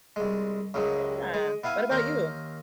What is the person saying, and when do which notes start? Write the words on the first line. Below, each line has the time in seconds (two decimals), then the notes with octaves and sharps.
Yeah, what about you?
0.16 C2 G#3
0.74 C#2 F#2 F#3 G#3
1.34 G#3
1.64 B3 E4 F5 G#5
1.90 D#2 C#4 A#4 C5